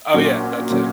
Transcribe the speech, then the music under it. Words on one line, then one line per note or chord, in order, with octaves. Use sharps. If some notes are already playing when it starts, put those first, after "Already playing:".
Oh yeah, that too.
A#1 A#2 F#3 C#4
A#2 F#3 C#4